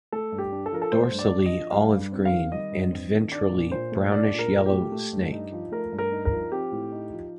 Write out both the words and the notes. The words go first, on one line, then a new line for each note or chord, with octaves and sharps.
Dorsally olive green and ventrally brownish yellow snake.
A3 A4
G2
G4
D4
A4
F3 A#4
A4
A3 C5
G2
D5
D4
D#5
F3
G3 F5
G2
C4
F5
D#3
G3 D#5
G2
C4
D#3
D4 D5
A#2
A#2 C5
A3
D4 D5
A#2
A#4
A#2
G4
A3
A3
G2
D#4
F3
A3 A#4
G2
A#4
D#4
A#4
F3
C4 G4
A2
D#4
F3